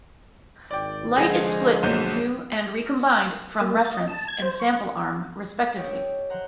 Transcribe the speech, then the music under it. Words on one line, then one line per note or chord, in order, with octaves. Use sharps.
Light is split into and recombined from reference and sample arm, respectively.
G#1 D5 G5
C2 D3 F3 G#3 G#4 A#6
B1 F#3 G6
A#3
A6
D#5
A5
G#6
C5
C#6
G4 A4 C#5 D#5 E5 G5
C5 F#5 A#5